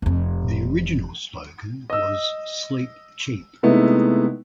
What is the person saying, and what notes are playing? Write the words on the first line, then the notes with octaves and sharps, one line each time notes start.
The original slogan was "Sleep Cheap".
F1 F2
D#5 E6
C3 G#3 A3 B3 D#4 E4